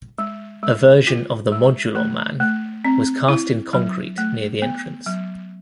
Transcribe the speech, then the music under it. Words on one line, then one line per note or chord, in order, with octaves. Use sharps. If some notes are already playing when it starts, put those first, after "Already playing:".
A version of the Modulor Man was cast in concrete near the entrance.
G#3
G#3
F4
G#3
A3
A3
C4
E4
F#3
A3
B3
F#3